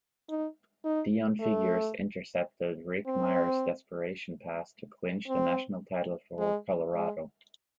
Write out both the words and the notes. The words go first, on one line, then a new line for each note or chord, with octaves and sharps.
Deon Figures intercepted Rick Mirer's desperation pass to clinch the national title for Colorado.
D#4
D#4
A3
C4
C4
G#3
G#3